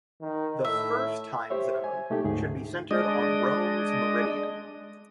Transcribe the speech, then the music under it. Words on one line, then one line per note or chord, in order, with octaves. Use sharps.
The first time zone should be centred on Rome's meridian.
D#3
A2 E5
G4 C5 C#5 E5
G#5
B2 A3 D#4 G4
D2 G#2 G#4
G#3 D4 D#5